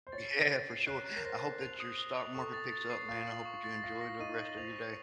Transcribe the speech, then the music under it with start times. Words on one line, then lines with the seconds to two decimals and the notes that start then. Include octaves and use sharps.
Yeah, for sure, I hope that your stock market picks up, man, I hope that you enjoy the rest of your day.
0.07 C5
0.12 C#5 A6
0.32 A6
0.49 A6
0.69 C7
0.87 C#5 F#6
1.06 F#6
1.16 A#4
1.25 C5 A#6
1.43 A#6
1.61 F7
1.80 D#6
1.99 D#6
2.17 F7
2.35 A4 C#6
2.53 A6
2.72 A6
2.90 C7
3.09 F4 A6
3.27 F#7
3.45 C#6
3.64 A6
3.83 F4 A#6
4.01 A#6
4.20 D#4 D#7
4.39 F#7
4.57 C5 F7
4.76 A#6